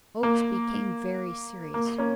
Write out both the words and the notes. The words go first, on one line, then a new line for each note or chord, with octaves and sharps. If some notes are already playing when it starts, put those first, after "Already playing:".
Oakes became very serious.
A#3
A#3
A#3 C#4